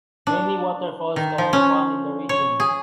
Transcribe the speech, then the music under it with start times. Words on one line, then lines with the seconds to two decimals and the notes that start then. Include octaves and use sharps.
Many waterfalls can be found in the region.
0.27 D4
1.16 D#3
1.38 F3
1.53 C#4
2.29 C#5
2.60 G#4